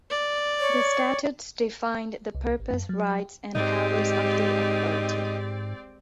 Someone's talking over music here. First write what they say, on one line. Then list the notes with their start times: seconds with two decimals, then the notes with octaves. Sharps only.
The statutes define the purpose, rights and powers of the authority.
0.10 D5
0.60 C#5
2.35 C2
2.60 G#1
2.72 F#2
2.89 F#3
3.55 G#2 G#3 C4 D#4 G4 D5